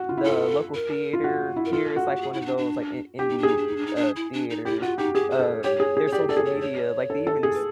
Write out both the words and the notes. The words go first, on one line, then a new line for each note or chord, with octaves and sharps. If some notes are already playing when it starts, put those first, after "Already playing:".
the local theater here it's like one of those, like, i indie, uh, theaters. Um, their social media like, they even s m
Already playing: F#4
F4
E4
F4 A4
A#4
F4
F#4
E4
A#4
F4 A4
F#4
G4
G#4
E4
D#4
D4
D4
D4 G4
D#4
D4
D#4 G#4
D4
D#4
D4
D#4
D4
E4
D4
D#4
E4 G4
F4 F#4
D#4 G4
G4 G#4
C5
A4
G4 C#5
G#4
G#4
C#5
G4 D5
A4 D5
G#4
C#5
C#5
A4
A4
G#4
B4